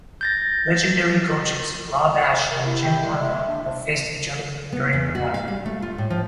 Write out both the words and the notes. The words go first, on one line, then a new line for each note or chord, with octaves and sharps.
Legendary coaches Rob Ash and Jim Harbaugh have faced each other during the rivalry.
G6 A6 A#6
C3 A#4
E4
C3 G5
D3 G3 G#3
E5
C#3 D4 E5
B3
E2
F#4
F5
G3
A3
F4
A2
F3